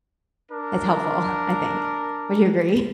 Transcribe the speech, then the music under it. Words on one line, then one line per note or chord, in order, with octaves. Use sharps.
it's helpful, I think. Would you agree?
D4 A#4